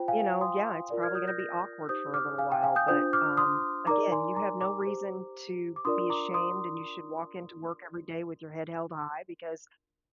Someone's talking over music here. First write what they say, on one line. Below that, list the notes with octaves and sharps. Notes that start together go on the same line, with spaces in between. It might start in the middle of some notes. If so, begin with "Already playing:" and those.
you know, yeah, it's probably gonna be awkward for a little while, but, um, again, you have no reason to be ashamed and you should walk into work every day with your head held high, because
Already playing: F4 C5 G5
F5 G#5
C6 D#6
F4 A#4 D5
F6 G#6
D#6 G6
G6 A#6
G6 A#6
D#4 G4 C5 D#6 G6
D6 F6
F5 G#5
G5
F5 G#5
D#6 G6
D4 F4 C5 D#6 G6
D6 F6
C6 D#6
D#4 A#4 D5 A#5 D6
G#5 C6
A#5 D6
A#5 D6
G4 C5
D6
D4 F4 A#4 D5 C6 D#6
A#5 D6
C6 D#6